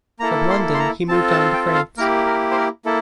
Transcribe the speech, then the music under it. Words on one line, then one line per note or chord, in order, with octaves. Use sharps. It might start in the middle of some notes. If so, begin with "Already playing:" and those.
From London he moved on to France.
A#3 E4 A4 A#5
C6
C6
A#5
C4 F4 A4 A5
A5
G5
F5
A#3 E4 G4 A#4
A#4
C5
A#4
A#3 E4 A4